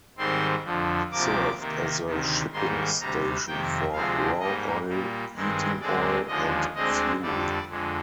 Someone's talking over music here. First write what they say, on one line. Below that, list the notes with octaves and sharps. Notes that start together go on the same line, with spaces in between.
It served as a shipping station for raw oil, heating oil, and fuel.
G#2 D#3 G3 C4 C6
F2 D3 F3
D2 C3 F3 A#3 D6
C3 D#3 A#3
D2 C3 D#3
G#2 D#3 G3 A#3 C6
D2 C3 G3 A#5
F2 C3 D#3 A#3 G5
D2 C3 F3 G#3 C4 F5
G#2 G3 A#3 D#5
A#2 G3 A#3
G2 D#3 G#3 C4
D2 D3 G#3 C4 D5
D#2 D3 F3 G#3 D#5
D2 D3 G#3 C4 D#5
F2 D3 G3 D5
F2 D3 G#3